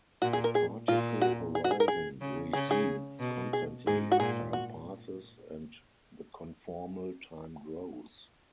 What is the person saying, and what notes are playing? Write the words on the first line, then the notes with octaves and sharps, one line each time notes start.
The particle horizon recedes constantly as time passes and the conformal time grows.
A#2 F#4
G#4
A#4
G#4
A#2 F4
F#4
G#4
F#4
G#4
A#4
G#4
C#3
C#3 G#4
G#4
B2
G#4
G#2 G#4
F#4
A#2 G#4
F#4